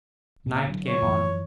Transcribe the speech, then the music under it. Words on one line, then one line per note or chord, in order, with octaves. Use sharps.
Night came on.
A#2
D3 F#3
C#5
F#2 E3 F3